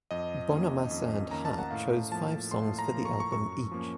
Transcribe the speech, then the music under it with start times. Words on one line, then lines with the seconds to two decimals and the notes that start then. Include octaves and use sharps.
Bonamassa and Hart chose five songs for the album each.
0.11 F2 D#5
0.51 D#3 A#3 C#4
0.91 F2
1.31 D#3 A#3 C#4 A#5
1.45 A5
1.59 F#5
1.71 A2 F5
2.11 F3 A#3 A5
2.51 A2 C6
2.79 A#5
2.91 F3 A#3
3.05 C#6
3.20 C#6
3.31 F#2 C#6
3.71 F3 A#3 C#4